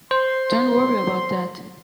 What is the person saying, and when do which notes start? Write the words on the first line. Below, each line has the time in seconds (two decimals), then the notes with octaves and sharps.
Don't worry about that.
0.11 C5 C6